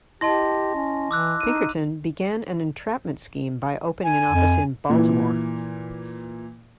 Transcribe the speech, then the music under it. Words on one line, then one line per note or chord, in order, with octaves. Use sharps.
Pinkerton began an entrapment scheme by opening an office in Baltimore.
E4 G4 D#5 A5 C6 A#6
C#4
E3 D6 E6 F#6
D#4 D#7
G#5
F2
A#2 E3